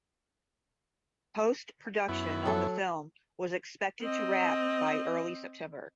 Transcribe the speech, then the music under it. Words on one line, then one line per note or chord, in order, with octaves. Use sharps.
Post production on the film was expected to wrap by early September.
F#2 B3 E4
F#3 A4
C4 D#5